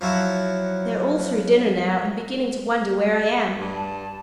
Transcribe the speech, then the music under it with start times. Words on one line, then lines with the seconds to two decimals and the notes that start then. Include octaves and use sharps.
They're all through dinner now, and beginning to wonder where I am.
0.01 F3 F#3 E4 F#4
3.55 G2
3.76 A5